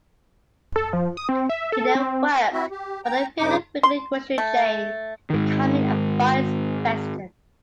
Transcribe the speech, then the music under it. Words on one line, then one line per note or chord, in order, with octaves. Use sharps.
He then worked for the Piggly Wiggly grocery chain, becoming a vice president.
A4
F3
D#6
C4
E5
A4
C4
C4 E4 F#4 E5
G4
G5 A#5
G2 C#3 D#4 D6
C6
A3
G#2 D#3